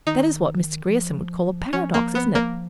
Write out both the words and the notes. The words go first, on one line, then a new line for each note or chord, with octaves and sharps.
That is what Mr. Grierson would call a paradox, isn't it?
D#3 D#4
F3
F3 C#4
A#3
B3
A#3